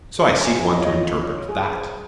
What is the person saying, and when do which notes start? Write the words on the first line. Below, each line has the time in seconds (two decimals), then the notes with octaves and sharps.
So I seek one to interpret that.
0.19 G#4 A#5
0.41 A#5
0.45 F4 G#5
0.72 F4 D#5
0.78 C#5
0.85 D#5
0.98 F4
1.24 C#5
1.49 G#4
1.75 C5